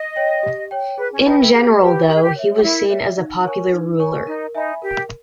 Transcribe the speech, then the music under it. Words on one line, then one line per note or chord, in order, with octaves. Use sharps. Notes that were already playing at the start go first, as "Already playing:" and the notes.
In general, though, he was seen as a popular ruler.
Already playing: D#5
C#5 G5
G4
C#5 G5
G#4 B4
C#4
D#4 B4 G5 B5
E4
G4 G#4
G4 B4 G5 B5
G4 A#4
G#4
G4
C#5 E5
G4
E4 A#4
C#5 E5
D#4
A#4 C#5 G#5 C#6
D#4
A#4 C#5 G#5 C#6
D#4 A#4
D#4 E5 G#5 B5
G4 A#4